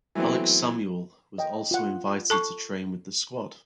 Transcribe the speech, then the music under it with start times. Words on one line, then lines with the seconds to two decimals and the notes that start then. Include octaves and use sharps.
Alex Samuel was also invited to train with the squad.
0.15 E3 F#3 A3 B3 C4
1.38 D#5 G5
1.71 F4 F#5
2.30 A4 A5 C#6